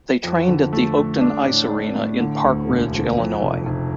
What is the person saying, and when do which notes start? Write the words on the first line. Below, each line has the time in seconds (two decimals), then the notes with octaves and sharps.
They trained at the Oakton Ice Arena in Park Ridge, Illinois.
0.23 F2
0.48 D3
0.73 A3
0.97 A3
1.21 D4
1.46 A2
1.70 D4
1.96 A2
2.20 D3
2.44 D2
2.69 E1
2.93 D2
3.18 F2
3.42 F1
3.66 F1